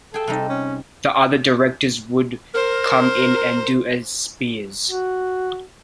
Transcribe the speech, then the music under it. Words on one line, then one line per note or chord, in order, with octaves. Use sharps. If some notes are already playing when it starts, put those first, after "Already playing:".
The other directors would come in and "do a Spiers".
G#4 A4 G5
C3 G3 D#4
C#4
A#4 C5
F#4